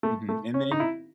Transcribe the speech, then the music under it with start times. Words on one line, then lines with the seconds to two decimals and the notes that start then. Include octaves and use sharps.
mhm, and then,
0.03 A3
0.29 A3
0.54 C#4
0.71 D#4
0.80 E4